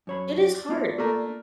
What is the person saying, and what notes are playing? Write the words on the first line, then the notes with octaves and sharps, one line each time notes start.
It is hard.
F#2 C#5 B5
D5
B3 D4 F4
A3 A#3